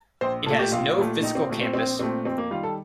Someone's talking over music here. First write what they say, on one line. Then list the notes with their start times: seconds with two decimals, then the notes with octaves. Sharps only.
It has no physical campus.
0.21 A#1 C5
0.46 A#2 A3 A4
0.59 G4
0.72 A#1 F4
0.97 A#2 A3
1.22 A#1 D#4
1.35 C4
1.49 A#2 A3
1.61 C4
1.74 A#1 C4
1.99 A#2 A3 C4
2.25 F2 C4
2.38 A#3
2.51 D#3 G3 F4
2.63 A4